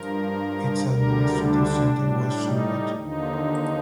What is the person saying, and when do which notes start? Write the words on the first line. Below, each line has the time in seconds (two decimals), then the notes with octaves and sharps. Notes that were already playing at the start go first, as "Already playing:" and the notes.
Its administrative centre was Surgut.
Already playing: G2 F3 A#4
0.84 D2 D3 G3 A#4
1.37 D4
1.90 A2 G3
2.42 D#4
2.94 D#2 D3 F3 D#4